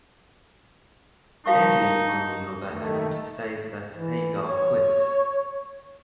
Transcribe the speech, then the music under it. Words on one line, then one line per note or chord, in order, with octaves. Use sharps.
Eddie, on the other hand, says that Hagar quit.
G3 D#4 F#4 A#4 F5 A5 C#6
D#3 A3
E3
C#5